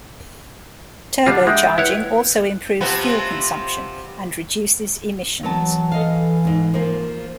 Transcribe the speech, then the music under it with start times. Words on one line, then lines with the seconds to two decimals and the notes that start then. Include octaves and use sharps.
Turbocharging also improves fuel consumption and reduces emissions.
1.26 G3 D4 F4 F#5
1.47 G#3 E5 G5
1.78 E4 B4 C#5 F#5
2.81 C3 F3 B3
5.43 E3 F#3 B3 A5
5.92 A4 D#5 F5
6.47 G#2
6.74 F3 A#3